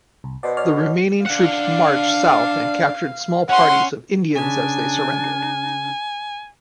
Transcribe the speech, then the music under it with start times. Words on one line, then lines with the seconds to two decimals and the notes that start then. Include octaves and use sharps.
The remaining troops marched south and captured small parties of Indians as they surrendered.
0.24 C2
0.43 B2 B4 C5 D5
0.57 C#5 D5 F6
1.26 D4 F5 F#5
3.49 C#4 F#5 C6
4.36 C#3 D4 G#5